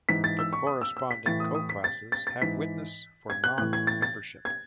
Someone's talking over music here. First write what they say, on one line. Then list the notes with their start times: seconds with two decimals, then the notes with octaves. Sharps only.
The corresponding co-classes have witness for non-membership.
0.09 G#2 E3 B6
0.24 A6
0.39 E6
0.53 C#6
0.67 D#6
0.81 E6
0.97 E6
1.11 B6
1.26 A2 E3 A6
1.40 D#6
1.55 D#6
1.70 B6
1.84 A6
2.12 A6
2.27 A6
2.42 G#2 E3 B6
3.30 G#6
3.44 F#6
3.58 A2 E3 F#6
3.73 G#6
3.87 A6
4.02 A6
4.45 G#6